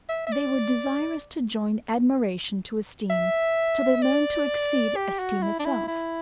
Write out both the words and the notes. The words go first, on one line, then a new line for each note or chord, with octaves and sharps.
They were desirous to join admiration to esteem, 'till they learned to exceed esteem itself.
E5
E5
D5
E5
D5
G4
F#4
E4
D4
E4
E4